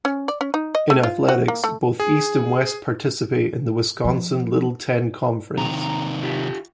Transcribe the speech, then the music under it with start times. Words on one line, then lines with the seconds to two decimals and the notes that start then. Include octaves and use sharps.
In athletics, both East and West participate in the Wisconsin Little Ten Conference.
0.05 C#4
0.28 D5
0.41 C#4
0.54 D#4
0.75 D#5
0.90 A3
1.03 F4
1.28 F#4
1.48 A#3
1.64 A3
2.00 G#4
4.05 F3
5.57 C3 D#3 A#5
6.23 F4 G4